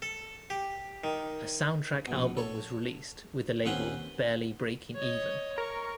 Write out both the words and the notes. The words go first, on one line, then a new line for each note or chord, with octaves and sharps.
A soundtrack album was released with the label Barely Breaking Even.
A4
G4
D#3
A#1 B2
A4 C#5
D#2 C4 C#4 B4 F#5 C6
C#5 D#5
A#4 C#6